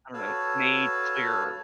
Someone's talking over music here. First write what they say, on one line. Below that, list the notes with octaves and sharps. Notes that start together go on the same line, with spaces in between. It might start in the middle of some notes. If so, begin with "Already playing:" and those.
I don't know, made clear
F#4 A4 B4 C#5 F5 A5